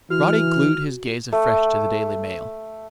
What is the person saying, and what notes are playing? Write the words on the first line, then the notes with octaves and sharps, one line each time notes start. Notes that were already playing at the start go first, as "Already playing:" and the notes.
Roddy glued his gaze afresh to the Daily Mail.
E3 F#4 F6
A3